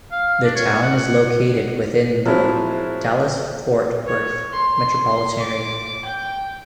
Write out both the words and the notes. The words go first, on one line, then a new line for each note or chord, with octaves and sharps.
The town is located within the Dallas-Fort Worth metropolitan area.
F5
D4
C#5
F#5
F3 F#3 G#3 C4 E4
C#5
C6
D6
G5